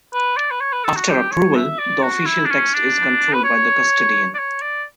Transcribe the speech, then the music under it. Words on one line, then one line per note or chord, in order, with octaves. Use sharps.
After approval, the official text is controlled by the custodian.
B4
D5
B4
C#5
B4
A4
F#4
G4
C#5
E5
D5
F#4
E4
D4
C#4
D4
B4
C#5
D5
C#5
D5